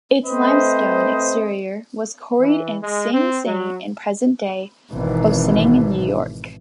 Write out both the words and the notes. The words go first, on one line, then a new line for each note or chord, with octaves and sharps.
Its limestone exterior was quarried at Sing Sing in present day Ossining, New York.
A3 C4 B4 C5 D#5
E3
G#3
C4
F#3
G#1 B2 E3